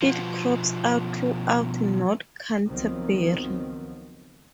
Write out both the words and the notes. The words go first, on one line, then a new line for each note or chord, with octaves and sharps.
It crops out throughout North Canterbury.
B2 F3
C#2 D#3 F3 F#3 B3 C4